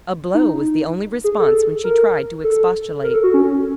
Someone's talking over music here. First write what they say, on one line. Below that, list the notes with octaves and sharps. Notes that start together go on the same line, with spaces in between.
A blow was the only response when she tried to expostulate.
D#4
D#4
G#4
A4
A#4
A4
A#4
A4
F#4
C#4